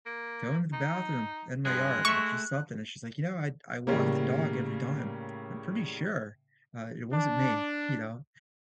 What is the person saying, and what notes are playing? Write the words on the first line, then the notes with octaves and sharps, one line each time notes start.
going to the bathroom in my yard" or just something, and she's, like, "You know, I'd I walk the dog every time. I'm pretty sure, uh, it wasn't me," you know,
A#3
D#4
G2 F3 G#3 G#4 F#6
A3 E5 C#6
A2 C#3 G3 A#3
D4